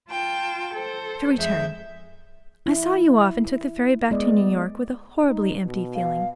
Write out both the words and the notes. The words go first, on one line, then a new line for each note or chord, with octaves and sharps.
To return: I saw you off, and took the ferry back to New York with a horribly empty feeling.
F4 G5 A5
A4 C5
F2 G#3 E5 G6
E4
G#3 B3 D5 D#5
D#4
B2
F5